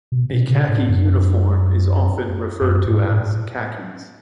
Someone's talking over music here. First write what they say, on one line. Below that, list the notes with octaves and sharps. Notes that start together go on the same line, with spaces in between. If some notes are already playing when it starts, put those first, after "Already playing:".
A khaki uniform is often referred to as khakis.
B2
B2
C#3
A2
F#2
F#2
G#2
A2